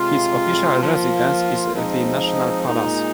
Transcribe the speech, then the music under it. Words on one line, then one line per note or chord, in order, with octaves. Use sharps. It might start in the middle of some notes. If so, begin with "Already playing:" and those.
His official residence is the National Palace.
Already playing: C3 G#3 F4
F3 A#3 F4
F3 G#3 C4 D#4
A#2 G#3 D#4